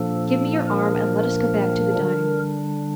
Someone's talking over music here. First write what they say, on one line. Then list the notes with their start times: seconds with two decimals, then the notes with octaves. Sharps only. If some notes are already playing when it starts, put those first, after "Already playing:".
Give me your arm and let us go back to the dining-room.
Already playing: A#2 F3 A#3 D4 A4
0.68 A#4
1.95 D3 G3 D4